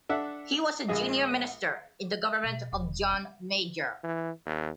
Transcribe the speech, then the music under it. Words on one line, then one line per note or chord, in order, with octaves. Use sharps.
He was a junior minister in the government of John Major.
D4 A4 E5 F#5
A#1 G#3 G#4 D#5
B2
E1
C#4
E3
D#2